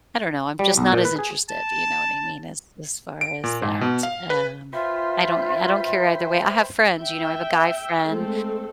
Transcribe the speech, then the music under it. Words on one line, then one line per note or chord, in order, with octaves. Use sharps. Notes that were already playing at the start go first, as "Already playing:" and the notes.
I don't know, I'm just not as interested, do you know what I mean, as as far as that, um, I don't I don't care either way. I have friends, you know, I have a guy friend
G3
B1
A#2
B4
G#4
A5
D7
A#2
G#2
B2
F5
B4
F4 B4 C5 E5 G5
E5 G5
G#3 A3 C4 A4